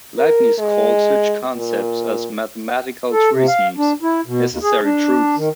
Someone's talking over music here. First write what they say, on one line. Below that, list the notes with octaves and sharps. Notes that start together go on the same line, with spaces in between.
Leibniz called such concepts as mathematical truisms "necessary truths".
A#4
G#3
A#2
A4
C3
F5
D4
E4
B2
D#2
G#4
D4
D#3